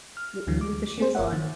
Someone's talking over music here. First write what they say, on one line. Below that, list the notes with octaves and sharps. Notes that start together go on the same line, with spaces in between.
W with the shoes on.
F6
D2 D3 E3 F#3
D6
A#3 C4 G#4 C5
G1 A#4 C#5 E5 F#5
D#3